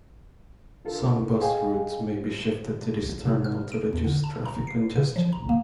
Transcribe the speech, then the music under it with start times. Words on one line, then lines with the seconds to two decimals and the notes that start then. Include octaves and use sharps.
Some bus routes may be shifted to this terminal to reduce traffic congestion.
0.85 D4 F4 A4 A#4
1.41 G#4 D#5 F5 G5 G#5
3.25 C3
3.44 F6
3.72 D7
3.93 E2
4.04 D3
4.24 A5
4.46 A#5
4.67 C7
4.96 C#3
5.16 F3
5.33 A#5
5.49 A#3